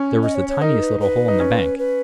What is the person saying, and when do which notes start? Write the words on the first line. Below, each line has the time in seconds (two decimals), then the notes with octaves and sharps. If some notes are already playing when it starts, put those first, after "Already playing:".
There was the tiniest little hole in the bank.
Already playing: C#4
0.23 D#5
0.35 C#5
0.49 C#5
0.62 D#4 A#4
0.81 B4
1.00 B4
1.28 D#4
1.40 C#4
1.79 B4